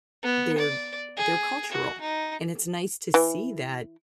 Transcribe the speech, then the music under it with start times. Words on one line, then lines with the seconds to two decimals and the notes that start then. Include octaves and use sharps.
they're they're cultural, and it's nice to see that
0.22 B3
0.58 D5
1.17 G#4
1.71 F#4
2.01 D#4
3.14 E3